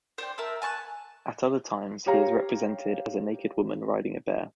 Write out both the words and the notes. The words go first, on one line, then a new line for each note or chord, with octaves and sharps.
At other times he is represented as a naked woman riding a bear.
C5 D5 G5
A#4 E5 A5 E6
G#5 A5 C#6 F#6
G4 C#5 F5 A#5